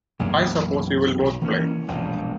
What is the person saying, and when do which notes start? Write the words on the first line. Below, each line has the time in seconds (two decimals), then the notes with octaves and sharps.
I suppose you will both play.
0.19 B1 F#2 E3 A#3
1.19 B1 B2
1.41 E3 A#3 C#4
1.88 E1 A#1 G2